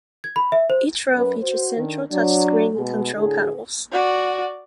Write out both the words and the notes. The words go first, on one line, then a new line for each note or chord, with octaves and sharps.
Each row features central touchscreen control panels.
G#6
B5
E5
C5
F#2 B4
F#4 C5
D3 D#3
F#3 D4
B2 G#3
A2 D3 G#4
F#4 D5